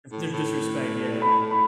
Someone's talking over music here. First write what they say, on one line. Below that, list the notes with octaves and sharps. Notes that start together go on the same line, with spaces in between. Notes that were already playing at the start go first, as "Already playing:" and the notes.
If there's disrespect, yeah.
A2
A2
B5
B5